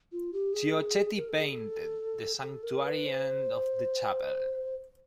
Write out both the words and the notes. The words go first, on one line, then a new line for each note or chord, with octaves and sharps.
Chiocchetti painted the sanctuary end of the chapel.
F4
G4
G#4
A#4
A4
G#4
A4
A4
A#4
B4
C5